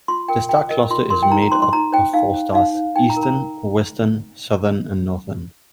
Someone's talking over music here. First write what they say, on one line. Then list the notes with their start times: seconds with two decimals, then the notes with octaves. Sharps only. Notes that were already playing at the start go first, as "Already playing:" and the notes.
The star cluster is made up of four stars: Eastern, Western, Southern and Northern.
0.08 F4 C6
0.29 A#4 G5
0.49 F4 G5
0.69 A#4 D#5
0.90 F4 C6
1.10 A#4 C6
1.23 G5
1.31 D#4 A#5
1.42 A#5
1.52 C5 C6
1.62 C6
1.72 D#4 A#5
1.93 C5 G5
2.13 D#4 F5
2.34 C5
2.54 D#4 F5
2.75 C5
2.96 D#4 G5
3.10 A#5
3.16 A#4
3.23 A#5